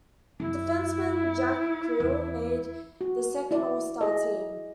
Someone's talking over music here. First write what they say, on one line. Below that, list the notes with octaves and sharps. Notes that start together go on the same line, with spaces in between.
Defenceman Jack Criel made the second all-star team.
F#2 E4
E2
F#4
E4 D5
E4 G#4 D#5